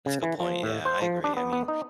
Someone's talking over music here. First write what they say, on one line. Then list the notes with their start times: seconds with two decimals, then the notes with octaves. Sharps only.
That's a good point, yeah, I agree. I mean
0.06 C#3
0.23 E3
0.40 F3
0.63 A2
0.85 C5
1.02 F3
1.24 D4
1.37 B3
1.53 B3
1.68 D#4